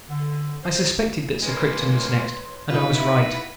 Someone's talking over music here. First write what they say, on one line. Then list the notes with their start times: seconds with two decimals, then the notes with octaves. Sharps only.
I suspected that Sir Crichton was next, and I was right.
0.10 D3
0.64 C5
1.42 G#3 A#3 B4 C#5 C6
2.70 D#4 F4 B4
2.94 E4 F#4 E5